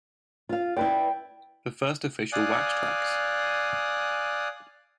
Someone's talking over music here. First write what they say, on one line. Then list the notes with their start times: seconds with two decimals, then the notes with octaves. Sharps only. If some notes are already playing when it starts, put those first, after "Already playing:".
The first official Wax Trax!
0.49 F4 F5
0.77 E4 B4 D5 G5
2.33 D5 F5 G#5 D#6 F#6